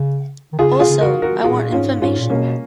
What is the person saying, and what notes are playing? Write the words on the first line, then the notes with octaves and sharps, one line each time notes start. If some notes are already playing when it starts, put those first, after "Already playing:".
Also, I want information.
Already playing: C#3
D#3
C#3 F4 G#4
B2 F4 G#4
C#3
F#4 A#4
F#4 A#4
A#2 F4 G#4
G#2 C#4 F4
G#2 C#4 F4
A#2
B2 A#3 C#4